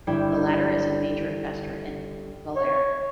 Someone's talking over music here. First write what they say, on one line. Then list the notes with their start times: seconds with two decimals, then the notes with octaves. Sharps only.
The latter is a major investor in Valuair.
0.07 G1 G3 E4 G5 G#6
2.56 C#5